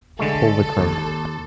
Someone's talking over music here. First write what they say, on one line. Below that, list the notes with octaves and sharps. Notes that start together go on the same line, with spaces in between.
Pull the crank.
D3 G#3 A3 A4
D#2